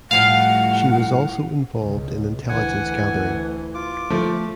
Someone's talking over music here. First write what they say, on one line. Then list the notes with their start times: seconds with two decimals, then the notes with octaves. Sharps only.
She was also involved in intelligence gathering.
0.11 A2 F3 G3 F5 F#5
1.76 C#2 B2
2.49 D2 E3 F#5 G#5
3.74 F4 D6
4.10 F3 A3